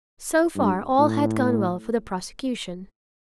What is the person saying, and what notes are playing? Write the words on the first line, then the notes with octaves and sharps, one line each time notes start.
So far, all had gone well for the prosecution.
G2
A2